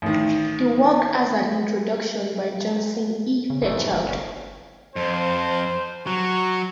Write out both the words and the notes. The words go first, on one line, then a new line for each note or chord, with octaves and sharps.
The work has an introduction by Johnson E. Fairchild.
A1 D#3
C#3
F1 G#2 E3 A3
G1 G2 C#4
F2 C5
F#3 C#6